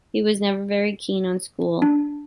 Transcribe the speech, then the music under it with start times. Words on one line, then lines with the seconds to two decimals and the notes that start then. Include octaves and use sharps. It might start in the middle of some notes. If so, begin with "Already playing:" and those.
He was never very keen on school.
1.82 D4